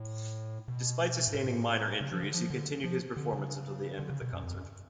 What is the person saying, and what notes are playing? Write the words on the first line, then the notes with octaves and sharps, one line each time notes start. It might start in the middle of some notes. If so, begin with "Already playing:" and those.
Despite sustaining minor injuries, he continued his performance until the end of the concert.
Already playing: A2
B2
G#2
A2
C#3
F3
D3
F3
D3
F3
D3
C#3
D3
C#3
B2
F#2
F2
F#2